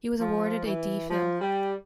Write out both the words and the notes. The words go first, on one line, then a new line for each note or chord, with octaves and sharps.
He was awarded a D. Phil.
F3
E3
F3
G3